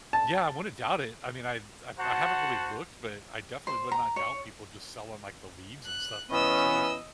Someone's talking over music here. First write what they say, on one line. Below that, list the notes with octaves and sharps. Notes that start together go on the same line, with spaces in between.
Yeah, I wouldn't doubt it. I mean, I've I've I haven't really looked, but I definitely would not doubt people just selling like the leaves and stuff from it too.
A5
F#4 C5 F#5 A5
C5
A#5
C#5
F#6
E3 B3 C#4 D#5 E6